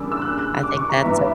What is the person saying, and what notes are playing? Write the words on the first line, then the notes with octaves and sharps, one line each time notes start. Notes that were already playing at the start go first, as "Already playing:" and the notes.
I think that's a
Already playing: E2 C#3 G3 A#3 D4 D6 E6
E6
F#6
F#6
D6
C#6
A#5
G2 E3 B3 E5